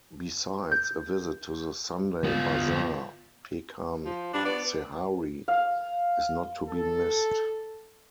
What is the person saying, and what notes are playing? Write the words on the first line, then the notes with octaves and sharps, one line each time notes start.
Besides, a visit to the Sunday Bazaar "Pekan Sehari" is not to be missed.
G6
B3 F4
F3
G2 D4
B3 D5
F5
A4